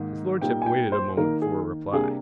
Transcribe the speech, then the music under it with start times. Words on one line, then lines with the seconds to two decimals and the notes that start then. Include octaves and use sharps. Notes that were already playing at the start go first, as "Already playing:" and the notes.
His lordship waited a moment for a reply.
Already playing: G#2 D#3 A#3 D#4
0.41 A#2 G3 A#3 D#4 G5
0.62 G#5
0.66 G5
0.92 C5
1.17 D#3 A#3 D#4 A#4
1.42 G#4
1.92 C3 G3 A#3 D4 G#4